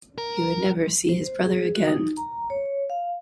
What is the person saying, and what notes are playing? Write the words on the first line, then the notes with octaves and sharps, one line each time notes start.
He would never see his brother again.
A#4
C5
G#4
F#4
D#4
A#5
C#5
F5